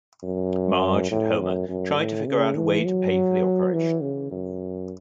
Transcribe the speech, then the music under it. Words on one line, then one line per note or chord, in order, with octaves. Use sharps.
Marge and Homer try to figure out a way to pay for the operation.
F#2
A2
F#2
F#2
A2
C#3
E3
F#3
E3
C#3
F#2